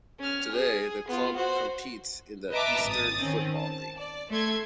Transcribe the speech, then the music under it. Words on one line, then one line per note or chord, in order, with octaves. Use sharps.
Today the club competes in the Eastern Football League.
C#4 F6
G#4
B3 F4
F#4 C5
B4 D#5 E5 A5 A#5 D6
G#1 D#6 A6
D#3 C4 C#4
A5
D5
A3 A4 C6 G#6